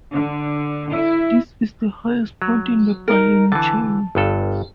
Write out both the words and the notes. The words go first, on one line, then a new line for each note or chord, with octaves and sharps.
This is the highest point in the Balleny chain.
D3
E4
F#3
D#4 A#4
D3 E3 A5
G1 G2 A4